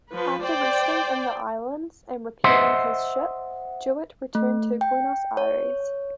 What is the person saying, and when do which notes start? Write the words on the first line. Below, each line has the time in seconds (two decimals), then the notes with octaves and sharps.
After resting in the islands and repairing his ship, Jewett returned to Buenos Aires.
0.12 F3 B4
0.43 C5 D5 G5
2.44 C5 D#5 E5 F#5 C6
4.35 A3
4.81 G5
5.37 C#5